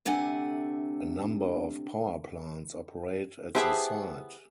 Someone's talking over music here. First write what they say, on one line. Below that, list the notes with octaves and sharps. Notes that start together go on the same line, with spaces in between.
A number of power plants operate at the site.
D2 C3 A3 D4 F#5 G#5
B3 E4 G4 G#4 C5 E5 A5 F#6